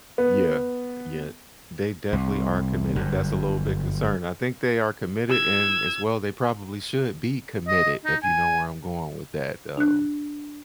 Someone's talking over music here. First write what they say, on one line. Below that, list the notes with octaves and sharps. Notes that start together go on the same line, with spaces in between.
Yeah, yeah, they definitely are committed, that's a little bit concerning. I think they are committed, and as well, they probably should be committed if you know where I'm going with that, um,
B3
C2
G1 F#2
E6 G#6
D#5
D#4
G#5
D4 F#6